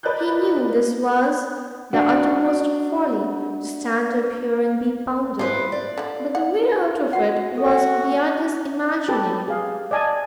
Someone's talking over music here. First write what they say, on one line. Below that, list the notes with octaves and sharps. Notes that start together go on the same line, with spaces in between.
He knew this was the uttermost folly, to stand up here and be pounded, but the way out of it was beyond his imagining.
A#4 B4 D5 D#5 F#6 G6
D4 F#4
G3 A#3 E4 B4 C5
D5
D3 F3
F#5
F#4 F#5
F#4 A4
G4 A4 B4 A5
G#4 F5
D5 D#5 G#5 A5